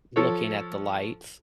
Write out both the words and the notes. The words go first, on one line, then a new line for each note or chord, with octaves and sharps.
looking at the lights
F3 A4 C#5